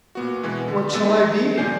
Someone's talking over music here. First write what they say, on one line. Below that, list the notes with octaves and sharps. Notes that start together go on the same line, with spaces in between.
"What shall I be?"
A#2 B3 F#4
B2 E3 G#3 B3
D3
A#1 A3 B3 E6 A6
A3 D#4
D#2 F3 D5 G#5 G6 C7